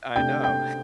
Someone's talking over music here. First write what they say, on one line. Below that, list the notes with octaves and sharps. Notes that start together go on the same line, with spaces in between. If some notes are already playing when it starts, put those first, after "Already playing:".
I know.
C3 A3 D4 G5 G6
G5 G6